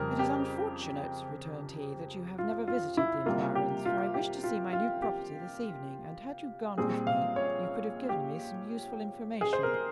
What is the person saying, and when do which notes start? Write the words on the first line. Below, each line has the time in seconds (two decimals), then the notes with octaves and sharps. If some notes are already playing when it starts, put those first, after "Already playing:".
"It is unfortunate," returned he, "that you have never visited the environs, for I wish to see my new property this evening, and had you gone with me, you could have given me some useful information."
Already playing: F2 C#3 G3 C4 A#4
0.19 G4
2.38 F4
2.68 F4
2.97 E4
3.26 C3 G3 A#3 F4
3.55 G4
3.85 F4
4.14 G4
4.44 F4
4.73 F4
5.02 G4
6.78 A#2 G3 C4 G#4
7.07 F5
7.36 C#5
8.09 G4
9.41 G#4
9.53 C5
9.63 A#4